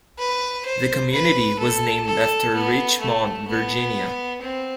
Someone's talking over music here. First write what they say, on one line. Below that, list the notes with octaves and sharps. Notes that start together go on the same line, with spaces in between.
The community was named after Richmond, Virginia.
B4
C5
B4
A4
A4
B3
A3
B3
C4